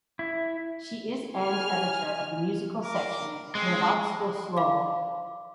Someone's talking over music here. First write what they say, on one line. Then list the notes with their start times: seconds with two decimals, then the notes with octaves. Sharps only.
She is and editor of the musical section in "Hrvatsko slovo".
0.19 E4
1.38 G#5 F6
2.83 A#4 D6
3.55 G#3 C4
4.57 F5 D6